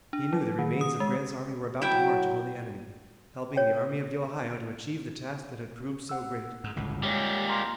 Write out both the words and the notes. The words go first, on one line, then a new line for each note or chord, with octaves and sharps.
He knew the remains of Grant's army were about to march upon the enemy, helping the Army of the Ohio to achieve the task that had proved so great.
D4
F#3
D#3
D#6
G#3
F#3 E4 F#4 G5
C#5 G5
F#5 E6
G#2
G1 C#2 A2
A#2 G3 G#3 G4 C#5
A#5 C6 F6